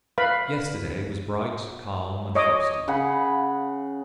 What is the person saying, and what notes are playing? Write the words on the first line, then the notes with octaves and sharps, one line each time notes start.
Yesterday was bright, calm, and frosty.
B4 F5 B5
C#5 D#5 D6 D#6
C#3 F#5 B5